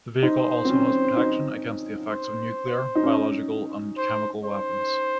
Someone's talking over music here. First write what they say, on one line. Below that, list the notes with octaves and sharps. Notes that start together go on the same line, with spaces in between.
The vehicle also has protection against the effects of nuclear, biological and chemical weapons.
D#4 C5
C4
C#4
D#4
C5
D#4
C#4
C5
C5